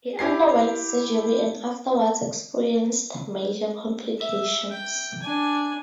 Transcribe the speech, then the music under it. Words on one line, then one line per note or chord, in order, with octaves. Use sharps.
He underwent surgery and afterwards, experienced major complications.
E4 G4 G#6 C7
E5
G5
D4 G#5